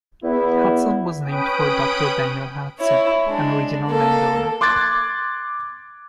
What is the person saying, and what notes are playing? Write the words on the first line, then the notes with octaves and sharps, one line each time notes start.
Hudson was named for Doctor Daniel Hudson, an original landowner.
E2 B3 E4
C#4 B4 G5 B5 D#6 D7
E4 C#5
G#3 D4
A#3 A4
C6 D6 F#6 G#6 A6